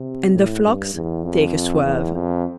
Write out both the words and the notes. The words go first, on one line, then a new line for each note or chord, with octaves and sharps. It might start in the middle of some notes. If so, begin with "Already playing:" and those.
And the flocks take a swerve.
Already playing: C3
A2
G2
E2
F2
E2
F2